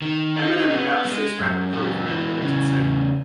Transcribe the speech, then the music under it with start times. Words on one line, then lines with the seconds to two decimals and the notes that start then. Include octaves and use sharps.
Eminem and now deceased rapper Proof are in a deleted scene.
0.02 D#3
0.36 D#4
0.70 B3
1.05 G#3
1.39 F#2
1.73 G#3
2.07 E3
2.42 C#3
2.76 E2